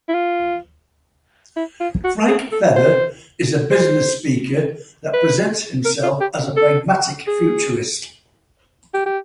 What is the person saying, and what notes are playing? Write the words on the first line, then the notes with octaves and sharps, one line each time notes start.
Frank Feather is a business speaker that presents himself as a pragmatic futurist.
E4
F4
E4
F4
F#4
G#4
A4
C5
C5
B4
A#4
F4
G4
A4
G#4
G4
G4